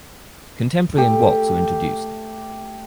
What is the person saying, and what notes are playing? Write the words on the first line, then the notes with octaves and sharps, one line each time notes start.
Contemporary and waltz are introduced.
A3 G4